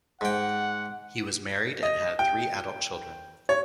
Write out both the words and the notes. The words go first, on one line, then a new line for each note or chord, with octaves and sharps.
He was married and had three adult children.
G#2 F#5 G5
D#5
G5
C#5